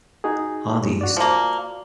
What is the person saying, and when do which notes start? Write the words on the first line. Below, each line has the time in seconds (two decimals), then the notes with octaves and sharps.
On the East.
0.24 D#4 F#4 G#4
1.01 F#4 D5
1.17 F3 A#3